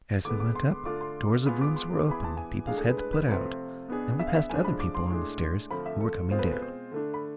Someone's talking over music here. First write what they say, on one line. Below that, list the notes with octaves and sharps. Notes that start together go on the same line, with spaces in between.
As we went up, doors of rooms were opened and people's heads put out; and we passed other people on the stairs, who were coming down.
D3 G#3 B3 D6
D6
C6
D3 A3 D4 F4 D6
C6
G#3 B3 F4 G#4 B5
D6
C6
E3 B3 E4 G#4 B5
A5
G#5
A2 G#3 D4 G#4 F5
A4
B4
B4
B4
C3 F3 A3 C4 F4 B4
B2 B3 D4 G#4
E5
F5
E5
A2 F3 G#3 D4 G#5
B5
D6
C6
A2 G#3 D4 G#4
D3 F3 A3 C4 B5
E5
A4
B2 G#3 C4 F4 G#4 C5
B4
A4
B4
C5
D3 A3 D4
B5